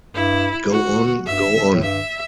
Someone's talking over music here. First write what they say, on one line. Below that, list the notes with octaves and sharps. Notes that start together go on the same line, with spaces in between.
Go on, go on!
G2 E4
F#4
G2 E5
A2
G2 E5